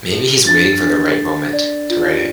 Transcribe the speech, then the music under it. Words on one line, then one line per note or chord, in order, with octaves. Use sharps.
Maybe he's waiting for the right moment to write it.
A4
D4 A6
D4
A4
D5
F4